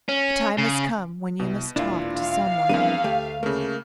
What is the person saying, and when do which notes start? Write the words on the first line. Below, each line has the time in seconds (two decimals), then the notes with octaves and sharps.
"The time has come when you must talk to some one."
0.09 C#4
0.58 C#3
1.40 C2 B2
1.76 E1 A#2 D4 E4 F4
2.18 F5
2.69 E2 F3 G3 A#3 C4 D4 E4 D#7
3.04 D2 A3 G4
3.43 C#3 A3 A#3